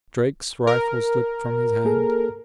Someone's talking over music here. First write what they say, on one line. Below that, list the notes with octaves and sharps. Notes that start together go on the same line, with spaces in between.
Drake's rifle slipped from his hand.
A#4
A#3 G#4 A4